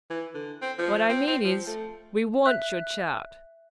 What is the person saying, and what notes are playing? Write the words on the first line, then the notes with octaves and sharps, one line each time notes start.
What I mean is, we want your chart.
E3
D3
C4
F3
C4
C4
F3
A3
E5 F#6